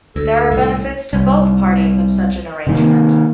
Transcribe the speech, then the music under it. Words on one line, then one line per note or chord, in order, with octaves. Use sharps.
There are benefits to both parties of such an arrangement.
D2 A4 E6
C2 A2
C2
C3 D#3 A#3